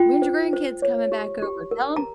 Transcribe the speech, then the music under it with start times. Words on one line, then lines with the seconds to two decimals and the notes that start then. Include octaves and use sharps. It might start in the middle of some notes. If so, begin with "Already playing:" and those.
when's your grandkids coming back over? Tell 'em
Already playing: F4 G5
0.22 C5
0.53 C5
0.82 C#5
1.12 G4
1.42 G4
1.71 A#4
1.96 A#5